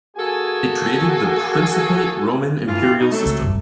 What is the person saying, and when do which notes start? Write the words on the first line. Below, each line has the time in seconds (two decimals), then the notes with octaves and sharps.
It created the principate Roman imperial system.
0.17 A#3 F#4 G#4 A4 G#5
2.68 G2 E3 A3 F4
2.82 G4
2.99 B2 D#4
3.12 C3 F#3 A3 A4
3.26 C#2
3.43 F1 B1 G2